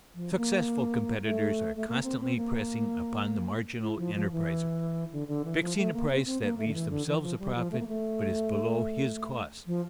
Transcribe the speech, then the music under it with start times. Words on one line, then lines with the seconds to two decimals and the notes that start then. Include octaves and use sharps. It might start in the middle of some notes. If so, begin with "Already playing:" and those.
Successful competitors are constantly pressing upon the marginal enterpriser, fixing a price that leaves themselves a profit, but is below his cost.
0.15 F3
0.33 C4
0.37 A#3
1.23 A3
1.76 A3
1.88 A#3
2.03 C4
2.21 C4
2.36 A#3
3.83 E4
3.99 F3
4.15 F3
4.31 E3
5.12 D3
5.28 D3
5.45 E3
5.61 F3
5.77 A3
5.93 A#3
6.10 C4
6.26 C4
6.42 A#3
6.58 A3
6.67 D3
6.74 E3
6.90 D3
7.07 E3
7.23 F3
7.39 G3
7.56 F3
7.71 A3
7.80 A#3
7.88 A3
9.66 F3